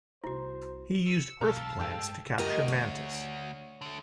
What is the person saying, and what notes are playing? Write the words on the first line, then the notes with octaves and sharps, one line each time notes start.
He used Earth plants to capture Mantis.
C2 C3 E4 F#4 C5
E6 C#7
B1 G4 F5 A5 A#5 E6 F6
G2 G#3 G4 A4 G5 E6
D2 G4 A#4 D#5
C#5
D3 A3